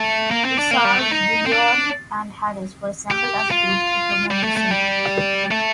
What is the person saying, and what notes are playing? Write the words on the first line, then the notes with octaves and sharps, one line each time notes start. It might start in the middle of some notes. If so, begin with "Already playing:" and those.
Visage, DeLeon and Harris were assembled as a group to promote the single.
Already playing: A3
A#3
C4
D4
A#3
G3
A3
D#4
C4
D4
G4
F4
G3
A3
A3
G3
A3